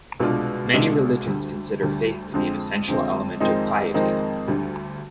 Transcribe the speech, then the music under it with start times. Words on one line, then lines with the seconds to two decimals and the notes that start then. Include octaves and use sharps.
Many religions consider faith to be an essential element of piety.
0.20 C2 B2 G#3 D4 F4
0.74 C2 B2 G#3 D4 F4
1.26 D2 D3 G3
1.81 D2 D3 G3
2.34 F2 D3 G#3 C4
2.88 F2 D3 G#3 C4
3.40 F2 D#3 G#3 C4 D#4
3.94 F2 D#3 G#3 C4 D#4
4.47 D2 D3 G3